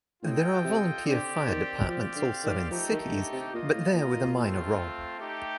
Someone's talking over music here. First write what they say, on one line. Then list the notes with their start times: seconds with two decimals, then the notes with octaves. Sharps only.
There are volunteer fire departments also in cities, but there with a minor role.
0.23 A2 F4 A4 D#5 G5
0.64 C3
1.06 D3 C4 G4 D5
1.47 D#3
1.88 F3 C4 G4 D5 F5
2.16 D3
2.43 D#3
2.70 F3 A3 D#4 G4
2.91 D#3
3.12 D3
3.33 C3
3.53 A#2 A#3 F4 A#4 D#5
3.74 A2
3.94 A#2
4.16 A#2
4.36 A3 C4 F4
5.18 A3 D#4 G4